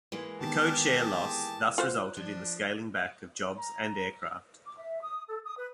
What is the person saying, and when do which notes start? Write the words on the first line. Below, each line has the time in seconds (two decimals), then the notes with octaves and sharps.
The code-share loss thus resulted in the scaling back of jobs and aircraft.
0.12 E3 G#3 A#3 B4
0.41 D#3 B3 G4 G#4 A5
1.78 F4 F#4 C5 F#6
2.17 F3 D4
3.58 A#5
4.66 D6
4.78 E5
5.02 D#6
5.28 A4
5.44 D#6
5.57 B4